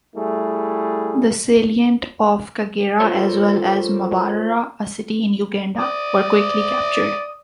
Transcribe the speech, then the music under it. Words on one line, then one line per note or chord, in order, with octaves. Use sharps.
The salient of Kagera as well as Mbarara, a city in Uganda, were quickly captured.
G3 A3 E4 G#4
F4 A4 A#4 C5 C#5
D5 D#6